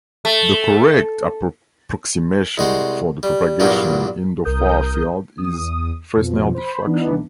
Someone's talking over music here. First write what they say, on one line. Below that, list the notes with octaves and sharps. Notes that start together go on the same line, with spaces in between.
The correct approximation for the propagation in the far field is Fresnel diffraction.
A3
C2 G#3 F#4 C5
G3
E2 G2 A#2 F#3 A#3 D4
C2 A#4 D#6 G6
E2 D#6
F2 B2 F3
C5 B5
E3 B3 D4 D#4